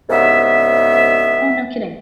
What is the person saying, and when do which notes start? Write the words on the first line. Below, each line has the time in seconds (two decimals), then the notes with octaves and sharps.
Oh, no kidding.
0.09 C2 G#2 C#3 B3 E5